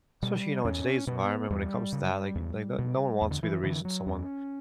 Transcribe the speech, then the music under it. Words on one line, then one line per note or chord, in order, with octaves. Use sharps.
especially, you know, in today's environment when it comes to that, like, they the no one wants to be the reason someone
B2 G3
E2 C#4
B2 B3
E2 G3
C#3
E2
B2
E2
D3
E3
D3 E3
F#3
E2 C#4